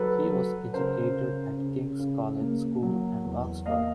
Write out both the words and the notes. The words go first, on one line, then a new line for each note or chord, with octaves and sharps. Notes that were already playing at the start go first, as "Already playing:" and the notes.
He was educated at King's College School and Oxford.
Already playing: F#3 A4 B4
F#3
C#3 A#4 C5
C#3
C#3
C#3
A#3
F#3
E2
A#3 D#5 F5